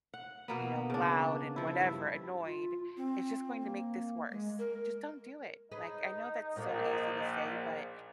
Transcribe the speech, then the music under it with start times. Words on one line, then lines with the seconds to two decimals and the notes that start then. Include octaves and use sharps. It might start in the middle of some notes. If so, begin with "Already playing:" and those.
you know, loud and whatever annoyed, it's just going to make this worse. Just don't do it, like, I know that's so easy to say, but
0.14 F#5
0.48 B2 A#3 B3
0.90 C#3 D4
1.56 F3 E4
1.81 G2 E5
2.46 F4
2.97 C4
3.61 A#3
4.30 G#3
4.59 A#4
5.71 D#4 G#4 B4 D#5
6.56 A#1 A#2 A#3